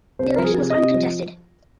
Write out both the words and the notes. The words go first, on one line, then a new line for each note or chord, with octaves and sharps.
The election was uncontested.
C2 C5
F3 A#4
G#4
C3
D#5
C3
F3